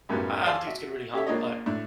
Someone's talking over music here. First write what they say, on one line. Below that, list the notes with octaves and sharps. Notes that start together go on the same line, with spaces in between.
I I don't think it's gonna really help. But
C#2 F#2 A2 F#3 G3 B3
D5 F5 G#5 A5 C6 E6
F#4 E5
C#4 G4 A4 E5
C#2 A#3 D4 F4 C#5 D#5
A2 D4